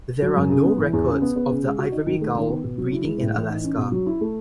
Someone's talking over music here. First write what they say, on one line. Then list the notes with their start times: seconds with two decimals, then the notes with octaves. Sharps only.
There are no records of the ivory gull breeding in Alaska.
0.22 F#3
0.36 F#2
0.50 C#3
0.65 B3
0.79 E3
0.93 E2
1.08 C#3
1.22 B3
1.36 B3
1.50 C#3
1.65 G#3
1.79 F#4
1.92 D#4
2.06 D#3
2.21 A3
2.35 D#3
2.49 B3
2.64 B2
2.78 F#3
2.92 E4
3.06 G#3
3.21 A2
3.35 E3
3.49 D#4
3.64 C#4
3.78 B2
3.92 F#3
4.06 E4
4.21 A3